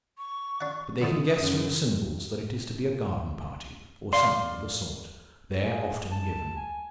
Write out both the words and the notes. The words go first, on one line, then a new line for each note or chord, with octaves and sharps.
But they can guess from the symbols that it is to be a garden party, or something of the sort, there often given.
C#6
D4 F#5
D3 F3 A3 D#6
F#2 C#3
D5 F5 C6
G#4
A5
G#5